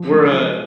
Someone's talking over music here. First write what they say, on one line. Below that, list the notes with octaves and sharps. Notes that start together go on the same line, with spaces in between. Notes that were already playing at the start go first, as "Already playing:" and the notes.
we're, uh,
Already playing: F3
G#3
F3